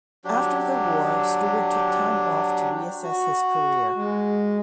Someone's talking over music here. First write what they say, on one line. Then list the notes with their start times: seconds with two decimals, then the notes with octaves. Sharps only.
After the war, Stewart took time off to reassess his career.
0.25 F#3 D4 G4
3.02 F#4
3.95 G#3